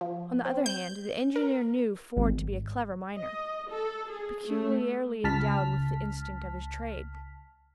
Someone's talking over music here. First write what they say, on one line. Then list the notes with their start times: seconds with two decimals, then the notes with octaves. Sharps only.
On the other hand, the engineer knew Ford to be a clever miner, peculiarly endowed with the instinct of his trade.
0.01 F3
0.45 C4
0.66 G6
1.36 A#4
2.17 G#1
3.16 D#5
3.70 A4
4.11 G#4
4.47 A3
5.24 C#2 A5 F6 B6